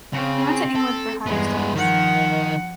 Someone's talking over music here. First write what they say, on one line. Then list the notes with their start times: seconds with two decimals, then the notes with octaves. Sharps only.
He went to England for higher studies.
0.13 C#3 C4
0.76 A4
1.26 E2 G2 G#3 B3
1.75 D#3 F3 F#5